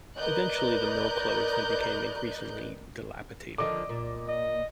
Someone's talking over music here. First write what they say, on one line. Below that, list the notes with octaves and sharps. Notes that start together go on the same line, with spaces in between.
Eventually the mill closed and became increasingly dilapidated.
A#4 B4 D5 D#5 F#6 G6
D3 D#3 F3 D#5 D6
A#2
D#5